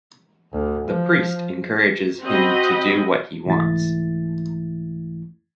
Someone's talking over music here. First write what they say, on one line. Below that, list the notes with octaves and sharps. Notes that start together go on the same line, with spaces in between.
The priest encourages him to do what he wants.
D2
F3
C4 F#4 D#5 B5
C2 G#2 E3 A3 E4 A6